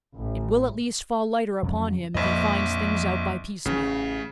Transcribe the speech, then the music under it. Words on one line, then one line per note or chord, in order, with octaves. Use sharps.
It will at least fall lighter upon him if he find things out by piecemeal.
A1
F2 C#3 F#3
A#1 F2 A#3 D#5
A1 C#3 E3 C#4